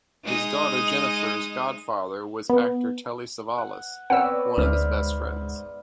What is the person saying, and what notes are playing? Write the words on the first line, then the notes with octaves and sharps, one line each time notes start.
His daughter Jennifer's godfather was actor Telly Savalas, one of his best friends.
G#3 D#4 D#5
B3
F#5
B3 C4 B4 C#5 D5 F#5 G5 E6
D2 G#2 C5 D5 E5 F6